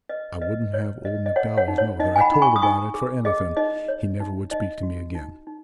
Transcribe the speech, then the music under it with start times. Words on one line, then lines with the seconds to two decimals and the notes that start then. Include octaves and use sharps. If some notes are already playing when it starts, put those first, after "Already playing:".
I wouldn't have old McDowells know that I told about it for anything--he never would speak to me again.
0.09 B4 D#5
0.41 B4 D#5
0.73 B4 C#5
1.05 B4 D#5
1.26 D#5
1.36 C#5 F#5
1.57 C#5 F#5
1.68 D#4
1.78 C#5
2.00 D#4 D#5
2.16 G#5
2.20 F#5 B5
2.31 D#4 B5
2.42 G#5 C#6
2.56 D#6
2.62 D#4 G#5 C#6
2.94 G#4
3.25 G#4 D#5
3.57 D#4 D#5
3.88 C#5
4.20 D#4
4.51 D#4 D#5
4.83 F#4
5.15 D#4
5.47 D#4